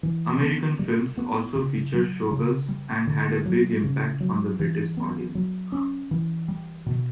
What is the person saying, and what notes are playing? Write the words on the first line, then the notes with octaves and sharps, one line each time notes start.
American films also featured showgirls and had a big impact on the British audience.
E3
B3
G3
B3
C#3
F#3
C#3
G3
D3
F#3
C#3
F#3
E3
B3
F#3
C#4
E3
G3
B2